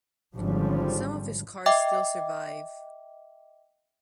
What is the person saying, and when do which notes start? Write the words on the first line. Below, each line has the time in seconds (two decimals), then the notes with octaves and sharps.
Some of his cars still survive.
0.36 G#1 D3 F3 G3 C#4
1.66 D#5 E5 G5 D6